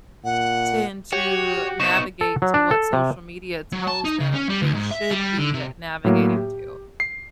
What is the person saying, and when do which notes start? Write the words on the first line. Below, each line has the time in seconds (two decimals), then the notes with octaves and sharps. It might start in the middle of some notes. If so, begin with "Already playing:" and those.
tend to navigate to what social media tells them they should be navigating to.
0.24 A#2 F#5
1.13 F#4 G4 C#5
1.80 C3 B3 D#4 C#6 E7
2.21 A4
2.42 F#3
2.54 D4
2.71 A4
2.93 C3
3.73 F#3
3.88 A5
4.04 D#4
4.19 C#3
4.33 C#4
4.49 G3
4.62 D2
4.75 G#2
4.91 E5
5.11 G3
5.38 D3
5.54 C3
6.04 A2 F#3 A#3
6.36 G4
7.00 C7